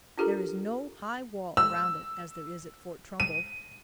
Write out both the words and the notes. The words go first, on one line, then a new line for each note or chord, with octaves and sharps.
There is no high wall around it as there is at Fort Trumbull.
D4 F4 G4 A4 A#4 A#5
E6
D#7